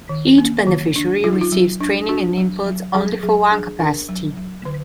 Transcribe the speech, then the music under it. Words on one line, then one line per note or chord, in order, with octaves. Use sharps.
Each beneficiary receives training and inputs only for one capacity.
D#3
A#3
D#3
D4
F#3 F4
D#4
F4
F#3
D4
D4 F#4
F#3
F#3
F#3 G#4
F#3 G#4
D4 G#4
D4 A#4
F#3
F#3
D3 B4